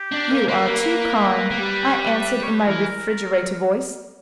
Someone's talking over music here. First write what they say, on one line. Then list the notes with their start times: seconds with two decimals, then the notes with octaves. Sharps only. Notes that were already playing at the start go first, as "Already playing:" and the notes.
'You are too kind,' I answered, in my refrigerator voice.
Already playing: G4
0.12 D4
0.30 A#3
0.48 A#3 B4
1.51 A#3
1.58 G3
2.44 C#5
2.55 B4
2.67 E3 A#4